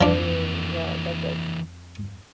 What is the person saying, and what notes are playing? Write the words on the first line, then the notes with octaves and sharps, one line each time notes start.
Ooh, yeah, that does
F2 E3 F3 A#3 D4